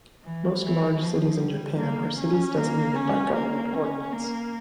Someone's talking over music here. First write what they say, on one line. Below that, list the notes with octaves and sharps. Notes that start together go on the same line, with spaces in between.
Most large cities in Japan are cities designated by government ordinance.
E3
E3
F3
G3
A#3
C#4
A#3
C#4
A#3
C#4
A#3